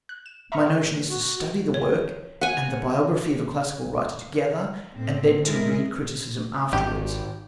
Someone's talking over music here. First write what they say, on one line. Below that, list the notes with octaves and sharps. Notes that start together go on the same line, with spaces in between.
My notion is to study the work and the biography of a classical writer together, and then to read criticism afterwards.
F#6
E7
E5 A#5 B5 C#6 D#6 F6
G#4 C#5 C#6
F#4
C#5
F#5 G#5
A2 C4
G#3 E4 G#4 A#4
G#1 G4